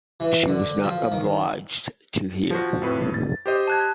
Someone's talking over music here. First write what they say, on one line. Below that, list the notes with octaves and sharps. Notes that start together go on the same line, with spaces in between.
She was not obliged to hear.
E3
D3
F3
D#3
F3 F#4
F2 A2 B4
A6
G4 C5 D#5
A5 F#6 G#6